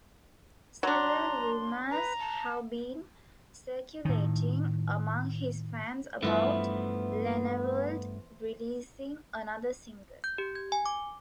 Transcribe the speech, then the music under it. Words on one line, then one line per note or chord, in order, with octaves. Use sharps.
Several rumours have been circulating among his fans about Lennevald releasing another single.
F#3 D4 A#5 C6
B4 A#5
A5
A2 D#3
G2 E3 F3 A3 B3 E4
G6
G4
G#6
G#5
D6